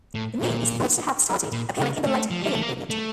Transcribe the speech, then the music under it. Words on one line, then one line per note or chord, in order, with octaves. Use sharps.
The nue is thought to have started appearing in the late Heian period.
A2
A#2
A#2
C#3
A3
F3
G3
A3
A#3
A3